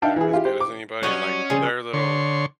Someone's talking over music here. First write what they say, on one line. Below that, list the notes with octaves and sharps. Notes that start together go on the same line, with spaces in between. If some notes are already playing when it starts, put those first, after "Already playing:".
better as good as anybody, and, like, their little
D4 D#4 E5 F5 G5 A5
E3 G#4
E4 F4 G4
G4 C5
D6
F#3 G3 C#4 D#5 F#5 C#6
C#3 F3 G3 G#4
D3 C#5 C6